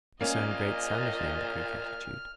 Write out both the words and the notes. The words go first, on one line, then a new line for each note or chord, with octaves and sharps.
I discern great sanity in the Greek attitude.
A#2 A#3 C#4 D#5 F6